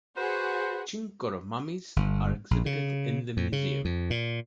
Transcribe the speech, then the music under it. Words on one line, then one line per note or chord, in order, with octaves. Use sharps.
Chinchorro mummies are exhibited in the museum.
F#4 G#4 B4 C5
G1
A#1
C#3
F2
C#3
F2
A#2